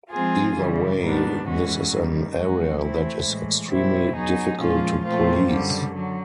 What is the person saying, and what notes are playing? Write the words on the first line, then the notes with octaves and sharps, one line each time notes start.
Either way, this is an area that is extremely difficult to police.
F3 G#3 C4 F4 G#4
C#3 E3 G3
G#2 D#3 G3 B3 D4
E3 G#3 C#4 F#4
F#2 D#3 G3
F3 G#3 C#4 F#4
E3 A3 C4 E4
A2 E3 G#3
B2 G3 C4 E4
F#3 B3 D#4 G#4
A#2 F3 G#3 C#4 F4
A#2 F3 A3 C4 F4
F#2 D3 G3
D3 F#3